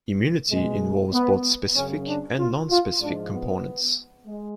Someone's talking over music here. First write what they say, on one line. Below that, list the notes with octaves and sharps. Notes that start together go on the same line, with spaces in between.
Immunity involves both specific and nonspecific components.
B2 G#3
B3
F#2 C#3 F#3 C#4
D4
F4
F4
G#2 F3 G#3 D4
B3
G#3